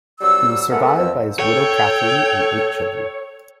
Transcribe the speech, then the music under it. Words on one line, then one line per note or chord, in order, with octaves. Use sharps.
He was survived by his widow Katherine and eight children.
C2 F#3 G3 E6
G#3 A3 B3 A4 A#4 F#5
F2 E6
A4 C#5 G5